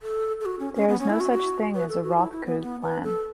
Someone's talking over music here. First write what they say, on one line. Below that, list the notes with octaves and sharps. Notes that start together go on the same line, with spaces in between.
There is no such thing as a "Roth Keogh Plan".
A4
A4
F#4
C#4
C#4
B3
C#4
E4
F#4
F#4
B4
A4
F#4
E4
E4
B3
B3
B4
A4